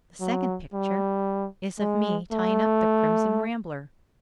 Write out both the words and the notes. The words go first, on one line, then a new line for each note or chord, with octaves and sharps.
The second picture is of me tying up the crimson rambler.
F#3
G3
G#3
A3